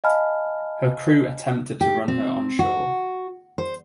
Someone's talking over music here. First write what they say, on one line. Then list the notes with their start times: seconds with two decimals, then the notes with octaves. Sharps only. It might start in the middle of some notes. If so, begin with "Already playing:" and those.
Her crew attempted to run her onshore.
0.04 D#5 F5 G#5 A5 B5 F6
1.81 G4
2.08 C4
2.59 F#4
3.58 C5